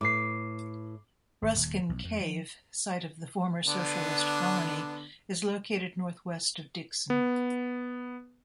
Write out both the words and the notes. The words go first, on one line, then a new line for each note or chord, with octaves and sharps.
Ruskin Cave, site of the former socialist colony, is located northwest of Dickson.
A2 B4 D6 C7
G#1
D#1
B1
F2
F3
D3 B3 D4
B3